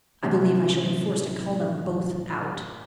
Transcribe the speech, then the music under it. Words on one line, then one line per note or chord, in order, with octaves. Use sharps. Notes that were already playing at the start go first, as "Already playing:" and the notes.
I believe I shall be forced to call them both out.
F#2 A2 C3 E3